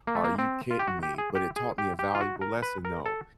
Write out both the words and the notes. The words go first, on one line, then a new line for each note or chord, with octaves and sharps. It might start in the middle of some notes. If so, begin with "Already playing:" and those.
"Are you kidding me?" But it taught me a valuable lesson, though.
A#3
A3
A#3
C4
F4
G4
F#4
G4
G#4
G4
G#4
G4
G4
F4
F#4
A#4
B4
A#4
A4